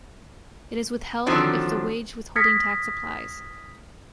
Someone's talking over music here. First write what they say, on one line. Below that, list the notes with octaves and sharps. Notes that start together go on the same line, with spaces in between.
It is withheld if the wage withholding tax applies.
D3 D#3 F3 F#3 C4 D4
D#6 F6 G#6 A#6 B6 C#7